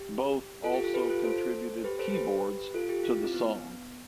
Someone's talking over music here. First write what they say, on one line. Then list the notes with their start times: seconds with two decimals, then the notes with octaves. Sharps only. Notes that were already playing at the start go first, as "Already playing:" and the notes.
Both also contributed keyboards to the song.
Already playing: G4
0.64 F4 A4
0.74 G4
0.84 F4 A4
0.94 G4 B4
1.10 F4 A4
1.24 A4 C5
1.84 G4 B4
1.99 A4 C5
2.14 G4 B4
2.74 F4 A4
2.89 G4
3.03 F4
3.14 E4
3.24 C4
3.34 B3